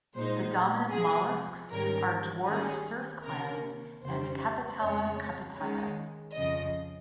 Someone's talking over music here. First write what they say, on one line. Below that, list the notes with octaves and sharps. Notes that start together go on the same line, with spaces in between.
The dominant mollusks are dwarf surf clams and "Capitella capitata".
A#2 G#3 D#4 C5
C3 F3 G#3 G#4
G#2 D#3 G3 C#4 A#4
D#3 G3 C#4 G#4
C3 D#3 A#3 C#4 A#4
F2 C#3 G3 C5
F2 C#3 G#3 C4 C#5
D#3 G#3 C#4
F2 C#3 F3 D#5